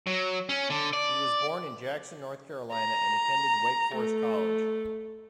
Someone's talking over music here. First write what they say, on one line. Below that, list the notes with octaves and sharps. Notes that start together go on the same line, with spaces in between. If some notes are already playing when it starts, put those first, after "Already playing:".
He was born in Jackson, North Carolina and attended Wake Forest College.
F#3
C#4
D3
D5
A#5
A3